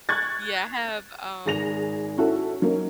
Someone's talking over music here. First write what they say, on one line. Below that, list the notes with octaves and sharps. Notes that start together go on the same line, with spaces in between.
yeah, I have, um,
C#6 F#6 G#6 A6
G#1 G#4 A#6 F7
C#4 E4 F#4 A4
F#3 A#3 C#4 D#4